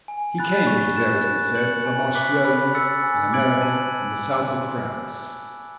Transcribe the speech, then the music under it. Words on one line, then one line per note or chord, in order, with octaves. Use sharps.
He came, it was variously said, from Australia and America and the South of France.
G#5
B5 F#6 A6
C#6
F#6 A6 E7
F#6
C#7 F#7
G#5
D6 F#6 B6
B5
E6 A6 C#7
G#5
D6 G#6 D7 F#7
A5